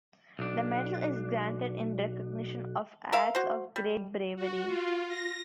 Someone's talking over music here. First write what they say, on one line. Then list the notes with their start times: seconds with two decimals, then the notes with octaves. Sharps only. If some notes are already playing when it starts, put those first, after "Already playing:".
The medal is granted in recognition of "acts of great bravery".
0.39 B1 D4
3.12 A#4 E5 F5
3.35 F#4 C5
3.76 G3
4.36 F#4
4.66 F4
5.08 A#6